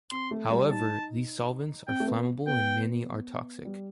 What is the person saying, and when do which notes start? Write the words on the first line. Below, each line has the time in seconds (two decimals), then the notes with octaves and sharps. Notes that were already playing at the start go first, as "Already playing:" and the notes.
However, these solvents are flammable and many are toxic.
0.11 C4 C6
0.31 A3
0.50 G3
0.70 D#4 A5
1.88 C4 G5
2.00 A3
2.07 B3
2.47 B3 G5
3.65 G3